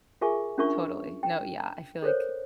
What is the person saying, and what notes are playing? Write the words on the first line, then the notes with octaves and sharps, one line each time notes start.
Totally. No, yeah, I feel like
F4 G#4 A#4 E5 G#5 C#6
C#4 D4 F4 A#4 E5 C#6
G5
A4 A#4 C5 C#5